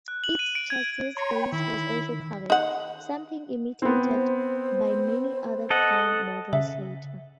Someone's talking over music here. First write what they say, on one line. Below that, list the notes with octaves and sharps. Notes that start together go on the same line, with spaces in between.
Its chassis base was also covered, something imitated by many other car models later.
F#6
F#7
D#7
D7
G#6
C#5 A#5 C6
G5 B5
D#3 E4
D#4 F#5
B3 C4 C5
A4 D#5 F#5
C#3 E5